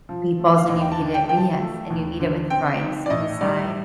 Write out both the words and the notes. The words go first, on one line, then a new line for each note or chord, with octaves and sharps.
meatballs, and you eat it well, yes, and you eat it with rice on the side.
F3
A3
F5
D#2 D#5
G5
A5
D3
G5
F3 G5
A5
A3
D#2
D3
C4 G5
D#4
D5
A2 D#5
G3 D5